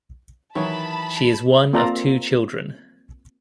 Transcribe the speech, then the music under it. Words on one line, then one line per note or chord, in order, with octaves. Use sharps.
She is one of two children.
D#3 E3 F#3 C#5 A5 B5
A#3 C4 F4 A4 D5 A#5